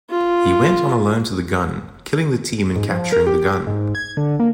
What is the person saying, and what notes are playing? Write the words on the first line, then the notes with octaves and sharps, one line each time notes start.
He went on alone to the gun, killing the team and capturing the gun.
F4
G#2
F3
A#4
G4
G4
G#2
G#6
D3
A#3